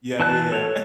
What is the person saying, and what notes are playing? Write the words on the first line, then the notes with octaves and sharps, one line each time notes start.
Yeah, yeah,
E3 A5 F#6
A4 C#5